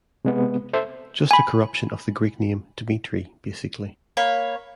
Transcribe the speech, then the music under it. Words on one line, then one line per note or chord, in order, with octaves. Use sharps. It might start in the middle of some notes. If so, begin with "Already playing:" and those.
Just a corruption of the Greek name "Dimitri," basically.
C3 G#3 B3
A4 C5 E5
G#5 B5
A#3 C#5 B5